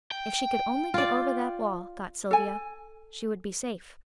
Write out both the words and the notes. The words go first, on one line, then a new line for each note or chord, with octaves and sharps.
If she could only get over that wall, thought Sylvia, she would be safe.
G5
F4 D5
A4 G#5